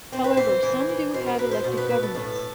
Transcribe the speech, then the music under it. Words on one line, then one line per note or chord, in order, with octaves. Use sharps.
However, some do have elected governments.
C4 C5
B4
E3 C5
E3
E3
B2 C5
A#4
B2 B4
C5
B2 C5
B4
B2 B4
A4
A2 A4